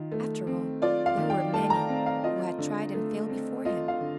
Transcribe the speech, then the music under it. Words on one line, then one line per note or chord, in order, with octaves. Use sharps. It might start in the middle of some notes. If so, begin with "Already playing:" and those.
After all, there were many who had tried and failed before him.
Already playing: D#3 F4
A3
C4
F4 D5
F5
D#3
G5
A3 A5
A#5
C4
F5
F4 D#5
D3
A3
C4
F4 D#5
F5
D3